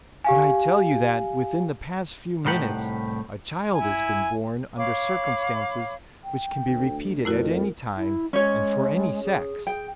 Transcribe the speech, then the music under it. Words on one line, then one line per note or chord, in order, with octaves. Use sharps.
"But I tell you that, within the past few minutes, a child has been born under circumstances which can be repeated at any time, and for any sex!"
G4 F5 G#5
C2 A2 D#4 G4 F#5
E4 G#5
C#5 F5 B5 D6
G5
D2
F2 A3 E4 F#4 A#4
E4
G#3 C#4 C#5
G#4
G#4 G5